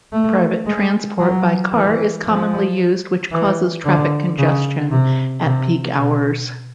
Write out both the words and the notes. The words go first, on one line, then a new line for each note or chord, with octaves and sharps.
Private transport by car is commonly used which causes traffic congestion at peak hours.
A3
G#3
F#3
E3
F3
E3
D3
C#3
C3
C3
B2